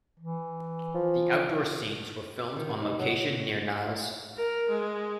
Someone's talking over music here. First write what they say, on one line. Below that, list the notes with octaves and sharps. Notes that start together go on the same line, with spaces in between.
The outdoor scenes were filmed on location near Niles.
E3
F3
D#3
C3
D#4
F#3
A#4
G#3